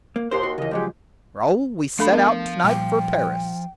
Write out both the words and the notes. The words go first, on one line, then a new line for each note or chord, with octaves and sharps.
"Raoul, we set out to-night for Paris."
A#3
D#2 A#2 A#4 C5 C6
F#4
D#2 C#3 E3 D#5
C#2 F3 F#3 G#3 G4
F3 A3 D4 A4 F5 B5
B3 A#4
A#2 G3 G5